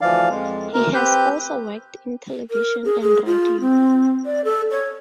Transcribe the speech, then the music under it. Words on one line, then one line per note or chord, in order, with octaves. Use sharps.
He has also worked in television and radio.
D2 E3 F3 D5 F5
F2 G#3
D2 A#4
C4 G4 B4 G6
A#4
G#4
G#4
F4
C4
D5
A4
C#5